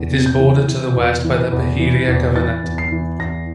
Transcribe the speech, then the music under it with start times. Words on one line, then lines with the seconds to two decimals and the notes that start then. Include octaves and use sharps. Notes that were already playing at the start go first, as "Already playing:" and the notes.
It is bordered to the west by the Beheira Governorate.
Already playing: E2
0.12 C3
0.26 G6
0.39 E3
0.68 E3
0.96 E2
1.25 E3
1.52 E2
1.79 E3
2.08 E2
2.36 E3 A6
2.64 E2
2.78 C7
2.92 E3
3.19 E2 A#6